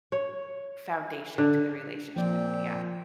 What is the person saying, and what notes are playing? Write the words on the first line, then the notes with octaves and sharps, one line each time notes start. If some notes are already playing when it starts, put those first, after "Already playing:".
foundation to the relationship, yeah.
C#5
D3
A#2 F3 A#3 C4 D5 G5